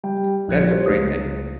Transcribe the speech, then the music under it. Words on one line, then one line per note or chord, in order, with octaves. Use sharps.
That is a great thing.
G3 G5
A#1 F#6 G#6 C#7
G4 C5 C#5
C#2 D#6